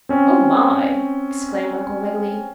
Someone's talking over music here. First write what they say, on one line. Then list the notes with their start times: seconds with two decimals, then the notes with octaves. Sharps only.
"Oh, my!" exclaimed Uncle Wiggily.
0.09 C4 C#4